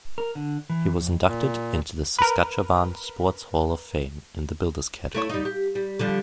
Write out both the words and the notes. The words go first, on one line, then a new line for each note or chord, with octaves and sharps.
He was inducted into the Saskatchewan Sports Hall of Fame in the builders category.
A#4
D3
E3
F2
A#2
A#4 B4
A3 E4 C#5
G3 D#4
G4
G3
D3 F3 G3